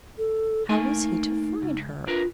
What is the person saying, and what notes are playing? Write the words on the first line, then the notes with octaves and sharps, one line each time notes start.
How was he to find her?
A4
A3 A#3 D#4 G#5
C#2
D4 F4 A#4 B4